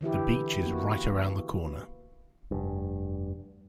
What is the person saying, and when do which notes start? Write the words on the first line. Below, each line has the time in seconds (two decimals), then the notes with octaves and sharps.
The beach is right around the corner.
0.01 D3 E3 E4 G4
0.64 A#3 B3 F#4
2.51 F1 G2